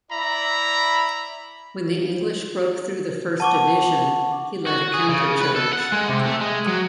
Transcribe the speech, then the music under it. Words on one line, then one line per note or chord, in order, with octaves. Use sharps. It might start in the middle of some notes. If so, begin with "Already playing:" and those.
When the English broke through the first division, he led a countercharge.
E4 D5 E5 A#5 B5
F#5 A5 C#6 D6
F#4
G#4
C#3
B4
A4
F#5
G#3
C3
A3
G#3
F#3